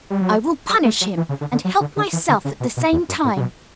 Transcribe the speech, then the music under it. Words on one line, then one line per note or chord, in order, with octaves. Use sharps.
I will punish him and help myself at the same time.
G3
F#3
G3
A3
F#3
E3
C#3
D3
D3
F#3
D3
D3
E3
D3
C#3
B2
B2
E2
F#2
A2
C#3
B2